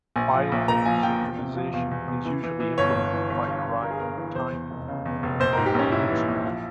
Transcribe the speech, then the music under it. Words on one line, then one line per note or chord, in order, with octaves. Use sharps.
Bilateral synchronization is usually implemented by deriving the timing from the incoming bitstream.
A#1 G#5
F3
A#1
A#2 A#5
F3 G#5
F3 G5
E2
C3
F3
E2 F5
E2
E2
E3
E3
E3
G1 C#5
G1
E3
G1
G2
G1
G2 A#4
G#4
G1 A#4
E3
E2 C5
E2
F1
C#3
E2
F1
A#1 C5
G#2 A#4
G4
A#1 C#4
G#2 E4
E3
A#1
F3